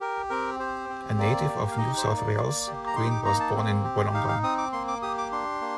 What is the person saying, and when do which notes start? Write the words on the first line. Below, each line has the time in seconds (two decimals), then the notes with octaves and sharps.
A native of New South Wales, Green was born in Wollongong.
0.01 G4 A#4
0.30 C4 A#4
0.59 G4 C5
0.89 C4
1.19 A#3 D5
1.48 G4
1.71 F5
1.78 D#4 D#5
1.97 C5
2.07 A#3
2.17 D5
2.37 A#3
2.67 G4
2.87 A#5
2.96 D#4 C6
3.10 D6
3.25 A#3 A#5
3.40 A5
3.55 C4
3.84 G4
4.14 D#4 F5
4.28 F5
4.43 C4 D#6
4.58 D6
4.72 A#3 C6
4.88 D6
5.02 G4 D#6
5.18 D6
5.32 D4 C6
5.61 A#3